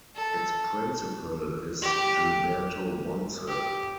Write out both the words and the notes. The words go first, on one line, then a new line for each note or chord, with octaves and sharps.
Its principal is Gilberto Bonce.
A4
G4
G4